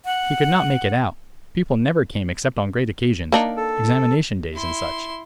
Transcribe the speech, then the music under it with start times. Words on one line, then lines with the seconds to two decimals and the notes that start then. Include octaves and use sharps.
He could not make it out; people never came except on great occasions,--examination days and such.
0.05 F#5
3.32 A#3 D4 D#4
3.57 A4
4.55 E4 C6